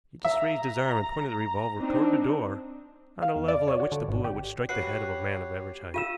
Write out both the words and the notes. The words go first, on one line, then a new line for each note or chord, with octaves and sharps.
He just raised his arm and pointed the revolver toward the door, on a level at which the bullet would strike the head of a man of average height.
E5 A#5
C4 D4 D#4
F5
E2
D5
C#5
F#4
D3
G#1
G4
F#4 G4 B4 C#5 F#5 C7
F4 F5 E6 D#7 E7